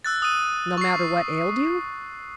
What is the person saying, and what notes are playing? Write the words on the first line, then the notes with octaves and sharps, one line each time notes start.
"No matter what ailed you?"
E6 F#6 A6
D#6 D#7
C#6 C7